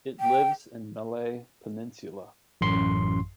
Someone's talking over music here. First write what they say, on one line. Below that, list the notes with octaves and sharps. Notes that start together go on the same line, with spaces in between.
It lives in Malay Peninsula.
G5
A1 F#2 C6